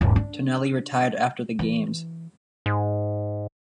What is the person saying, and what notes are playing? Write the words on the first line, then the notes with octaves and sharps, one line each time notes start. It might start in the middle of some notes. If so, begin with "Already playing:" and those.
Tonelli retired after the Games.
D#1 G#2
D4
E3
G#2